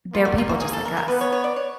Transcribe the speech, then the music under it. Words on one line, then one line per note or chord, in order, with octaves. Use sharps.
there're people just like us.
A#3 F4
F#4
F4
F#4
G#4
A4
A#4
A#4
B3 B4
C#5
C#5
D5
C#5